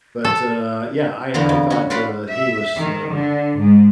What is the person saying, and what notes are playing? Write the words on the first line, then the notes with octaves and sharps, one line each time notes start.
But, uh, yeah, I I thought, uh, he was uh,
A4
E2 D3 F3 B3 A#5
F2
C#4 F#4
F4 F#4 B4 D5 F5
E5
D#3
D3
G#2